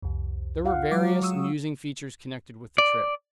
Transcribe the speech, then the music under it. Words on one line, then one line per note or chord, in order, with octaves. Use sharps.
There were various amusing features connected with the trip.
C2 F2
F4 F5 F#5
F#3 G#3 F5 D6
C#6 D#6 E6
D5